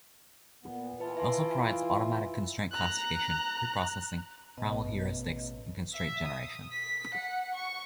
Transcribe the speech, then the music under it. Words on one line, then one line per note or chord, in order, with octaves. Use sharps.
It also provides automatic constraint classification, preprocessing, primal heuristics and constraint generation.
A#2 B3
E3 E4 F4 B4 A5
E5 G#5 C6
A#5 F#6
A1 B2 D#5
E5
D#6
B6
F#5
C#6